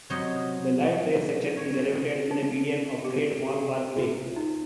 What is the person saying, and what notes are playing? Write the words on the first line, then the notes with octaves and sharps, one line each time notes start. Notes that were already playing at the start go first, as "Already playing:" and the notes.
The light rail station is elevated in the median of Great Mall Parkway.
C3 F#3 C4 G4 C#5 D#5
C#5
D4
G4
G4
F4
D#4